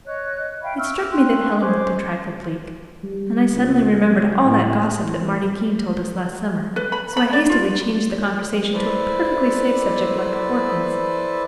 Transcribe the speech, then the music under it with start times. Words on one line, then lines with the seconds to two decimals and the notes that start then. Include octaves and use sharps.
It struck me that Helen looked a trifle bleak, and I suddenly remembered all that gossip that Marty Keene told us last summer; so I hastily changed the conversation to a perfectly safe subject like orphans.
0.06 C#5 D#5 F#6
0.61 E5 F5 G5 B5
0.79 C#6 E6 F6
1.11 G5 C6 F#6
1.59 C#4 C5 D6
3.04 G3
3.53 C#2
4.05 F#3
4.44 A2
5.02 E3
6.76 B4
6.92 B5
7.17 B5
7.33 D5
7.50 F4
8.73 E4 A4 B4 C5 D5